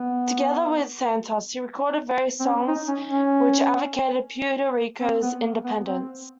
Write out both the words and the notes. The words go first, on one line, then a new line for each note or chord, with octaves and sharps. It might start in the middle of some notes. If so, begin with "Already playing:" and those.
Together with Santos, he recorded various songs which advocated Puerto Rico's independence.
Already playing: B3
C4
C#4
D#4
C#4
C#4
C4
B3
A#3
B3
C4